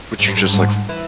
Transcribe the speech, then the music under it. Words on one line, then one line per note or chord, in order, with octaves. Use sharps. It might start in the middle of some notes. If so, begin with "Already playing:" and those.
would you just, like,
G#2
G2
G#2
G2
G#2
E3